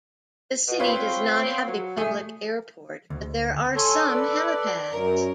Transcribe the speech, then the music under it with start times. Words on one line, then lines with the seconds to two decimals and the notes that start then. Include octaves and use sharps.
The city does not have a public airport, but there are some helipads.
0.68 B2
0.79 C4 F4 B4 C#5
1.67 F#3
1.97 A3 G#4
3.10 D2
3.76 A4 C#5 G#5 C6
4.07 A4 B4 D5
4.91 F#2 A#4 C#5